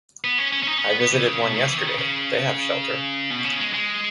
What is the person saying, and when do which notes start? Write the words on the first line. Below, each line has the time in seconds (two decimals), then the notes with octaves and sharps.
I visited one yesterday, they have shelter.
0.24 B3
0.38 C#4
0.53 C#4
0.63 C#4
0.67 D#4
0.78 C#4
0.89 B3
1.00 B3
1.11 E3
1.26 C#3
1.41 B2
1.55 D#3
1.66 E3
1.77 D#3
1.87 C#3
1.98 C#3
3.30 B2
3.44 C#3
3.60 G#3
3.74 G#3